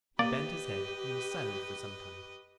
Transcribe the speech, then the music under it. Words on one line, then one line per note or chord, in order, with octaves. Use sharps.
He bent his head and was silent for some time.
A#3 G4 B4 D5 D#5